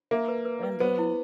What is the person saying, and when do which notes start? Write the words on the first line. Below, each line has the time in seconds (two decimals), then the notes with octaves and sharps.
And the
0.11 A#3 E5
0.28 B4
0.45 B4
0.63 B4
0.80 B3 C5
0.98 E4